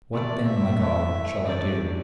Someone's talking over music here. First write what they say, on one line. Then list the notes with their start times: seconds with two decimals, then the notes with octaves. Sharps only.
What then, my God, shall I do?
0.13 E3 A3 C4 E4 A4 D5
0.46 E5
0.80 E3 A3 C4 E4 A4
1.45 C3 E3 A3 D4 D5